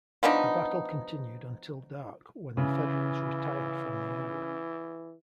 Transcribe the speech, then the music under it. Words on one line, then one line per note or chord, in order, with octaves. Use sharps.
The battle continued until dark, when the Federals retired from the area.
F3 B3 D4 D#4
C#3 E3